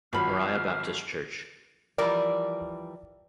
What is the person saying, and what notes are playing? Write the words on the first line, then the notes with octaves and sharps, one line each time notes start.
Moriah Baptist Church.
G#1 F#3 F4 B5 F6
E3 F3 G3 A#4 D5